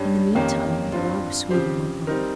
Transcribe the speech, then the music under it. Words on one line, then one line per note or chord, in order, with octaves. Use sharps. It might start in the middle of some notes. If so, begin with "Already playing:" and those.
In the mean time the war with Sweden went on.
Already playing: G2 G3 C#4
F2 D#3 A#3 C#4 G4
G2 G3 C4 F4
C#3 F3 C4 G4 C5
G3 C4 D#4 A#4